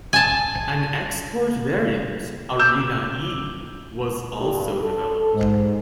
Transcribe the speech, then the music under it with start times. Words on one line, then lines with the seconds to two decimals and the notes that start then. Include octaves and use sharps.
An export variant, "Arena-E", was also developed.
0.13 G#5 A5
2.59 D6 E6 G6 E7
4.40 G2
4.83 A4
5.33 G#2